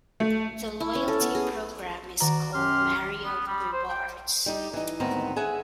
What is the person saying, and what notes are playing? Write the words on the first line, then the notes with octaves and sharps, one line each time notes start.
The loyalty program is called Marriott Rewards.
A3
E4
C#4
A4
B3
G#4
D#3 F#4 D5 A#5
F#2 G4 C6 F6
B3
G3
C5
G5
G3 D#4 G4
E3 D#4
D2 G#2 D#3 B3 C4 A#5
G#4 E5 F#5 G#5